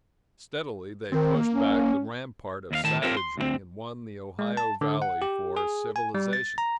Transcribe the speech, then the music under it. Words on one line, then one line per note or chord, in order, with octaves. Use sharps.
Steadily they pushed back the rampart of savagery, and won the Ohio valley for civilization.
D#3 C4
A#3
C#4
D#2 E4 F5
A2 D#3 A5
C4 F4 G4 A4 A#4 C#5
C6
D2 A2 C4
G#3
A5
D3
F#5
G4
G#4
G#5
G3
A6
A#5